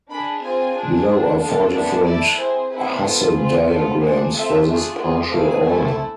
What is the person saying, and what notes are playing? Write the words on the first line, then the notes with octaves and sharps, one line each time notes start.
Below are four different Hasse diagrams for this partial order.
D4 G#4 B5
C4 F4 G#4 G#5
D4 G#4
D4 G#4
D4 A4 F5
B3 D4 G#4 E5
A3 E4 A4 D5
C4 G#4 C5
C4 E4 G#4 B4
B3 F4 A4 C5
C4 F4 G#4 B4
B3 F4 A4 C5
D4 G#4 C5
C4 F4 A4 E5
A3 D4 F4 G#4
C4 F4 G#4
A3 C4 E4 G#4 F5
A3 E4 A4 G#5